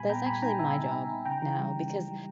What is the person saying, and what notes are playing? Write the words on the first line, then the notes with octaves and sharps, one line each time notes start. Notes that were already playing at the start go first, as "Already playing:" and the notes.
that's actually my job now because
Already playing: A#2 G3 G#5 B5
B3 G5 A#5
A#2 G#5 B5
D#4 G5 A#5
D#4 E5 G#5
D#4
D#4
D#4
C#3 G5 A#5
E3
G3
C#3
G3
G3